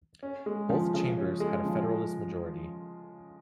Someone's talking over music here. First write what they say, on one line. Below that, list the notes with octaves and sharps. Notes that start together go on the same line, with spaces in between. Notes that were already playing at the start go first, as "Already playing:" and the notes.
Both chambers had a Federalist majority.
C#4
G#3
F3
C#3
C#4
G#3
F3